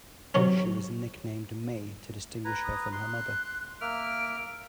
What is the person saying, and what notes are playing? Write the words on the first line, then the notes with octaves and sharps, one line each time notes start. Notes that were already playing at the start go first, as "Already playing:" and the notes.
She was nicknamed 'May' to distinguish her from her mother.
C3 D#3 F#3 C#4
B4 A#5 G#6
D#6
C6 F#6
A#3 E5 F6 D7